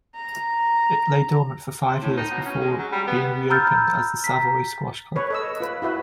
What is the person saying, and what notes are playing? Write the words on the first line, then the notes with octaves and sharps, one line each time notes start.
It lay dormant for five years before being reopened as the Savoy Squash Club.
A#5
C3
A2
D#4
B2
C#4
G#3
F#3
G3
B3
A#5 B5 E6 F6 G6 A6
A#5 B6
B4 C#5
A4 D#5 E6
F4 B4
E4 F#4 B4 E5